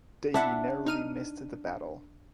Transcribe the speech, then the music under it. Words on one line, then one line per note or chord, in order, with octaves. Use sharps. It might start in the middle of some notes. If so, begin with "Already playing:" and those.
Davie narrowly missed the battle.
D4 E4 E5 F#5
D#4 F6 D#7